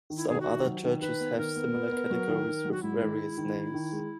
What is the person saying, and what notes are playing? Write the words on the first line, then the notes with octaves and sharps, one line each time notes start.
Some other churches have similar categories with various names.
D#3
E4
D#3 G#4
F#4
D#3
F#3
D#3
D#3 B4
B3
D#3 A#4
B3
B3
B3
F#3
D#3
D#3
F#3
F#4
G#2 E4
D#3
G#3
D#3
D#3
D#3
G#3